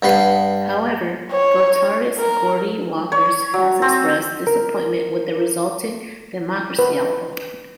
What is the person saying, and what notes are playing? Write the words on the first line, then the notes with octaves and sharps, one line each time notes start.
However, guitarist Geordie Walker has expressed disappointment with the resulting "Democracy" album.
G2 B3 B4 C6
C#5
A#4
C#5
F#3
C4
A#4
B4